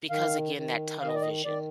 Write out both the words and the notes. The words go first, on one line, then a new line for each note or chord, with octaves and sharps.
Because again, that tunnel vision,
D#3 F5
D#3
D#3 F5
D#5
D5
D#5
D#3 D5